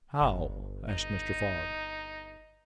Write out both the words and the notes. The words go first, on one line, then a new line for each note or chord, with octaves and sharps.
"How?" asked Mr. Fogg.
G1
D#4